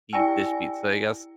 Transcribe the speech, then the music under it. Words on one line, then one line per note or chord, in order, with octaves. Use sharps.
deep dish pizza, I guess,
E4 G4 D5 G5 G#5 E6